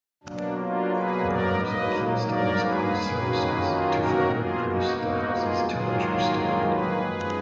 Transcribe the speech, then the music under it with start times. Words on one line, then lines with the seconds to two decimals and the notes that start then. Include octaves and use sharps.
Berms are placed on exposed surfaces to further increase the house's temperature stability.
0.23 B2 F#3 A#3 D4
0.57 D4 F4
0.91 G#4 B4
1.25 A#4 D5
1.59 G#2 F#3 A#3 B4 D#5
2.26 A#4 D5
2.60 G#4 B4
2.94 F#2 D#3 F#3 A#3
3.62 F4 G#4
3.96 F#4 A#4
4.29 B2 A#3 F4 G#4
4.63 D#4 F#4
4.97 D#4 F#4
5.31 F4 G#4
5.65 G#2 D#3 F#3 A#3 F4 G#4
6.66 G#4 B4
7.00 F#2 F3 G#3